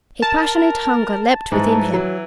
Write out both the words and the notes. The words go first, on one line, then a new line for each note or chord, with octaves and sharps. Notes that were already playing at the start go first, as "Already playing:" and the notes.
A passionate hunger leapt within him.
A#4 A5
G#2 E3
F#3